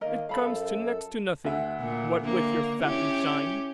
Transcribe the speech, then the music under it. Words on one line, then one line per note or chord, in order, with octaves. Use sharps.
It comes to next to nothing--what with your fat and shine.
D#3 A#3 A#4 D#5
F#2 A4 F5 B5
D2 E5 F#5
A#2
D3 A#3
C#4 E4 G4